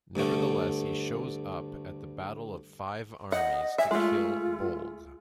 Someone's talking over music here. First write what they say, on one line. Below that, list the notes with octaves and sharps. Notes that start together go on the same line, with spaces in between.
Nevertheless, he still shows up at the Battle of Five Armies to kill Bolg.
D2 G2 D3 A3
D#5 F#5
E5 G#5
G#3 A3 F4